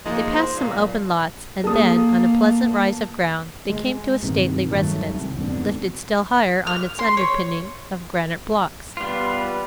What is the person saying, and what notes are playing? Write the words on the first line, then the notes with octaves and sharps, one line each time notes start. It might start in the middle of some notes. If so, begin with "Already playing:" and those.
They passed some open lots, and then, on a pleasant rise of ground, they came to a stately residence, lifted still higher on its underpinning of granite blocks.
F3 G#3 A#3 D#4
C5
B1 A#2
A#3 A4 D#6
G#3
G2 C3 D#3
G2 D#3 F#3 A3
C2
F2 G#2 B2 D3
F6
C6
C#5
G3 B3 F4 B4